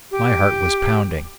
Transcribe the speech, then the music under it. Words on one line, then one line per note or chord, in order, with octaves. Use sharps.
My heart was pounding.
G4